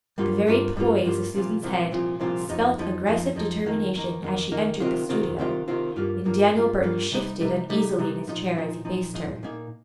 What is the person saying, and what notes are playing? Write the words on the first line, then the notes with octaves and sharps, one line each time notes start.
The very poise of Susan's head spelt aggressive determination as she entered the studio; and Daniel Burton shifted uneasily in his chair as he faced her.
G2 G3 A#3 F4
G2 G3 A#3 F4
G2 G3 A#3 F4
G2 G3 A#3 F4
C2 A#2 F3 C4 F4
C2 A#2 F3 C4 F4
C2 A#2 F3 C4 F4
C2 A#2 F3 C4 F4
F2 F3 D#4
F2 F3 D#4
F2 F3 D#4
F2 F3 D#4
F2 D#3 A#3 D#4
F2 D#3 A#3 D#4
F2 D#3 A#3 D#4
F2 D#3 A#3 D#4
C3 D#3 C4 F4
C3 D#3 C4 F4
C3 D#3 C4 F4
C3 D#3 C4 F4
G2 G3 A#3 F4
G2 G3 A#3 F4
G2 G3 A#3 F4
G2 G3 A#3 F4
C3 G3 D#4
C3 G3 D#4
C3 G3 D#4
C3 G3 D#4
A#2 F3 D#4
A#2 F3 D#4
A#2 F3 D#4
A#2 F3 D#4
A#2 A#3 D#4